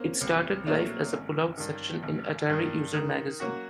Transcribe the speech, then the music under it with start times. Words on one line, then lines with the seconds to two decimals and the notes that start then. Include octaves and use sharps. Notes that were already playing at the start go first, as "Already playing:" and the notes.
It started life as a pull-out section in "Atari User" magazine.
Already playing: A#3 C4 C#4
0.21 C2
0.67 A#2 F#3 A3 D4
1.13 G#1
1.57 G2 D#3
2.03 G#1
2.49 G2 D#3
2.94 D#3
3.40 F#3 A#3 C#4 F#4